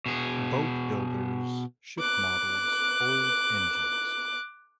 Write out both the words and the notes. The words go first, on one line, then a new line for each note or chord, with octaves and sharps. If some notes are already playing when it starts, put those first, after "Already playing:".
Boat builders, ship models, old engines.
B2 G#4
D6 F#6